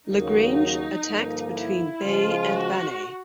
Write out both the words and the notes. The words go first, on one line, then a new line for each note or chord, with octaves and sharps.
Lagrange attacked between Baye and Bannay.
D#2 C#3 F#3 A#3 D#4
G2 D3 F3 A#3
E4
C#3 F3 G#3 F4
F#4